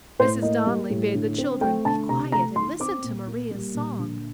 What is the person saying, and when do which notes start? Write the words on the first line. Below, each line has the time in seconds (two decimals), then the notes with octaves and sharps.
Mrs. Donnelly bade the children be quiet and listen to Maria's song.
0.19 A2 C5
0.42 A#3 D#5
0.66 G3
0.90 A2
1.14 D3
1.38 C4
1.61 A3 G5
1.85 D3 A5
2.09 C3 A#5
2.32 A3 A#5
2.56 D#3 C6
2.80 C4 D6
3.04 A#2
3.27 A#3
3.51 G3
3.74 A#2
3.99 D3